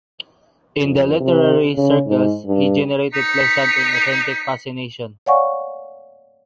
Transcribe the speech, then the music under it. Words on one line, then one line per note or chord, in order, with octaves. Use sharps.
In the literary circles he generated pleasant and authentic fascination.
F2
C3
C#3
G#2
G2
D#4 B6 C#7
C#5 D5 F5 F#5 G#5 C#6